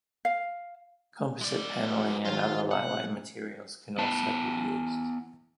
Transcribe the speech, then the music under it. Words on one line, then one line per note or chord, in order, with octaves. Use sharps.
Composite paneling and other lightweight materials can also be used.
F5
G#3 D5
F#4 B4
D#3 F#3 D#4 F4
C3 F#5
B3 E4 A5